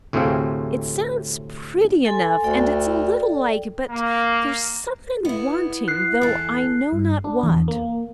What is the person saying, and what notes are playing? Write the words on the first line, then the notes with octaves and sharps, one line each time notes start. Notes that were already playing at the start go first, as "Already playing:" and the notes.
"It sounds pretty enough, and it's a little like, but there's something wanting, though I know not what!"
D2 A2 C3 C4 G#4 F5
A4 G#5 C6
D2 A4 D5 G5
A#3
B3 E4
F#6 C7
E2 A4
G2
D4
E2
A#3